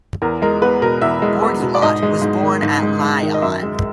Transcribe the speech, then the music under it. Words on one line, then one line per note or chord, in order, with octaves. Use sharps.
Bourgelat was born at Lyon.
E2 A#4
G#3 A#4
B3 B4
B2 A#4
E2 E5
G#3
B3
B2
D5
G#2 D#5
G#3
G#2
D#3
G#2
G#3
G#2
D#3
D#5
F#2 E5
G#3